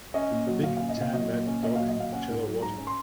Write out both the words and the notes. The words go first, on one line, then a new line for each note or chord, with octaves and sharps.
A big tan wet dog in shallow water.
C#4 D#5
A#2
F#3
A#2 F5
C#4 F5
D#5
A#2 F5
F#3 D#5
A#2
C#4
A#2 D#5
F#3 F5
D#5
A#2 F5
C#4 F#5
G#2
F#3
G#2 A#5
C#4
C6